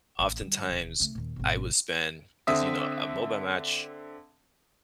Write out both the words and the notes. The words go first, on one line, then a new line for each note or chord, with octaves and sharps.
oftentimes I would spend 'cause, you know, a MOBA match
A1
D3 G3
D#1
C#3 A3
D#2 A#2
G#1 B2
D3 C4 E5 D#6